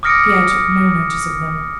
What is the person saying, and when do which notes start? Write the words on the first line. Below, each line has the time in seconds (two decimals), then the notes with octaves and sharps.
Pierre took no notice of them.
0.03 D6 D#6 F6 A#6 C#7 D7